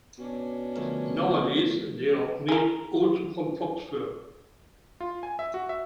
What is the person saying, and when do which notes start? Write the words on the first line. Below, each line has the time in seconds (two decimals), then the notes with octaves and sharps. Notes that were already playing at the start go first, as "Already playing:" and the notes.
Nowadays they are made also from fox fur.
0.18 B2 C#4 D4
0.76 D3 F3 A3 A#4
2.49 G#4 A#4
5.00 F4
5.23 G#5
5.39 E5
5.54 F#4
5.69 E5